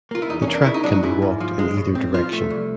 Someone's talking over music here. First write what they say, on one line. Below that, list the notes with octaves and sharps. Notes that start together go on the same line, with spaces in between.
The track can be walked in either direction.
A#3 F4
E4
E2 D#4
C#4
A#3
D4
C#3 E4
D#4
F#3 D4
D#4
G#2 E4
G#2
F3
G#3
A2
C4
F3 F4
A3
C2